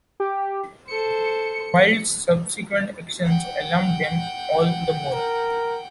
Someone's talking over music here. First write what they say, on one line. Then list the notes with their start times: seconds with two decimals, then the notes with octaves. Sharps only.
Wild's subsequent actions alarmed them all the more.
0.20 G4
0.88 A4 C5 C#7
3.25 F#5 G5
5.13 A#4